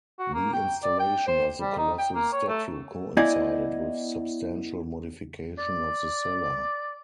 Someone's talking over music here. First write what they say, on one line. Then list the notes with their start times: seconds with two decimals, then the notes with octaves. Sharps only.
The installation of the colossal statue coincided with substantial modification of the cella.
0.19 F#4
0.34 A#3
0.53 G5
0.83 D5
0.99 G5
1.27 C5
1.61 G3
1.78 D#4
1.99 G5
2.15 A#3
2.33 C#5
2.48 A3
3.17 B3 E4 D5 D#5 G#5
5.58 D5